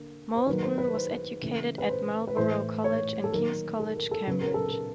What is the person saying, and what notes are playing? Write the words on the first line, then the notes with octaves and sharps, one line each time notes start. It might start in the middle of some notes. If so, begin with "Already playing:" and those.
Moulton was educated at Marlborough College and King's College, Cambridge.
Already playing: D3 A#3
C5
D#3 F#3 A#3 B4
C5
B4
C5
C#3 E3 A3
B4
C5
B4
A2 E3 A3 C5
C#5
A4
D#3 F#3 A#3 A#4
A4
A#4
A4
C#3 F#3 B3 B4
A#4
A4
A#4